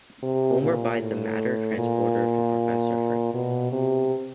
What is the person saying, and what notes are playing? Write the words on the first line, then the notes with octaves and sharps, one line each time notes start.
Homer buys a matter transporter from Professor Frink.
C3
A#2
A2
A#2
B2
C3